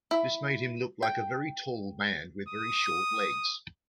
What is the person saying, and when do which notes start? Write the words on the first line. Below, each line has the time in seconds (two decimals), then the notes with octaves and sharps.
This made him look like a very tall man with very short legs.
0.11 E4 E5
1.03 G5
2.48 D#6